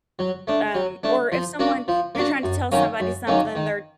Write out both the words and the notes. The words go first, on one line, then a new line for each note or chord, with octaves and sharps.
um, or if someone you're trying to tell somebody something, they're
F#3
A3 D4
F#3
A3 D4
F3
A#3 D4 F#4
F3
A#3 D4 F#4
F#2
D#3 F#3 A#3 C#4
F#2
D#3 F#3 A#3 C#4
D#3